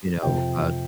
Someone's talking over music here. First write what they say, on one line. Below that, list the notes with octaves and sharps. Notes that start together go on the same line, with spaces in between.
you know, uh
F2 C3 F3 G5